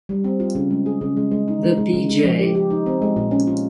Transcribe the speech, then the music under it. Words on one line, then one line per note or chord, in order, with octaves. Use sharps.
The B. J.
G3
C4
F4
C#3
G#3
G#4
C#3
G#3
G#3
D#4
G#3
G#3
C#3
G#3
F3
G4
G4
D#4
C4
G#3
A#2
C#4
F4